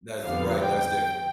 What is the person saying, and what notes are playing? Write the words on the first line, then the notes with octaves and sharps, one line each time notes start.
That's right, that's different.
F2 D3 G3 B3 F5
G5